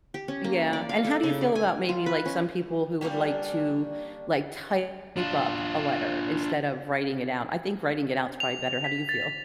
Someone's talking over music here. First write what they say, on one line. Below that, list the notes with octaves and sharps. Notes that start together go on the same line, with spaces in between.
Yeah, and how do you feel about maybe, like, some people who would like to, like, type up a letter instead of writing it out? I think writing it out's probably better. How do you feel?
G4
C#4
A#3
D5
F5
A4
C#3
D5
G#5
F4
B4
C#4
G3 A#3 C#4 D4
D4 F4
F7
B6
A6
F7